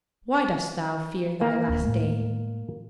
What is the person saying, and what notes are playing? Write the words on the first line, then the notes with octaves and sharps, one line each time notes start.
Why dost thou fear thy last day?
A#3
D#1 D#2 D4
A2 G#3 A3